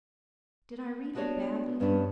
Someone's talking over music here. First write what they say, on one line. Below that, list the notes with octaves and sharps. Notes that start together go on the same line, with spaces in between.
Did I read it badly?
B3 D4 F#4 A4 C#5 D5
G2 B3 C#4 D4